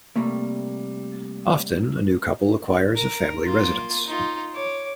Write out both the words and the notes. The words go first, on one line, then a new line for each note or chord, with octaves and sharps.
Often a new couple acquires a family residence.
C3 G3 A3 A#3
A#4
A#3 F4
D#4 F4
C#5 D6